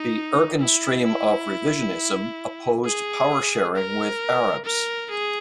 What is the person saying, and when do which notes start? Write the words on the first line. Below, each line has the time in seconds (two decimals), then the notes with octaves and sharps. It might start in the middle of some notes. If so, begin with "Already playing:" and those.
The Irgun stream of Revisionism opposed power-sharing with Arabs.
Already playing: D#4
0.59 E4
1.05 E4
2.85 G#4
3.75 A#4
4.65 A#4
5.10 G#4